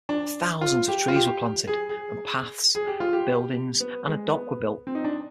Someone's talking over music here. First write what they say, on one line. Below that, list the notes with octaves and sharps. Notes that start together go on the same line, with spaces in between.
Thousands of trees were planted, and paths, buildings, and a dock were built.
D4
F4
G4
F4
G4
G#4
G#4
G#4
G4
F4
G4
B3
G#3
B3
C4
D#4
D4